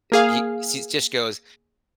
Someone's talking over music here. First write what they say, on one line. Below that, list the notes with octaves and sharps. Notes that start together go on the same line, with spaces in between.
uh, he sees just goes
A#3 G#4 F5